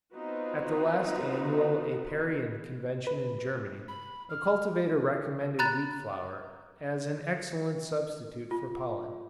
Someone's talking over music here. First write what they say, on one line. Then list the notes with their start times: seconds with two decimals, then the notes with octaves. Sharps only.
At the last annual Apiarian Convention in Germany, a cultivator recommended wheat flour as an excellent substitute for pollen.
0.14 B3 C4 D#4 F4 F#4 B4
3.07 B4
3.88 B5
4.29 F6
5.59 A#5 B5 F#6 A6
8.51 F4